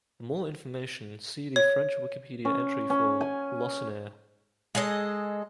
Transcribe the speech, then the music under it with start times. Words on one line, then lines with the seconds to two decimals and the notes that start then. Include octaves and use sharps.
For more information, see the French Wikipedia entry for Lacenaire.
1.56 C#5
2.45 C#4
2.90 C#4
3.21 G#5
4.75 G#3 G#4 A4 D#5